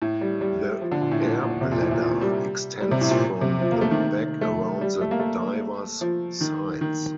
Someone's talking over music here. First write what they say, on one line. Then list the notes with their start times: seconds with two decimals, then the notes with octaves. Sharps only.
The air bladder extends from the back around the diver's sides.
0.02 A2
0.21 G3
0.41 G3
0.81 F3
0.92 D3
1.01 A#2
1.11 A2
1.21 A#2
1.42 A#2
1.61 C3
1.71 A#2
1.81 A2
1.91 A#2
2.02 A#2
2.21 G3
2.81 G3
2.91 C3
3.01 A2
3.11 A#2
3.41 C3
3.61 F3
3.71 A#3
3.81 A3
3.91 D#3
4.41 A3
4.81 G3
5.01 A3
5.11 A#3
5.19 A3
6.01 F3
6.41 D#3
6.81 D#3